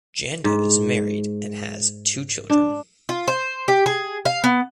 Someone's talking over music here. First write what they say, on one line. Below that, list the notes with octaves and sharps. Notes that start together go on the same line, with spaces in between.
Janda is married and has two children.
G#2
D4
F4
C5
G4
G#4
F5
B3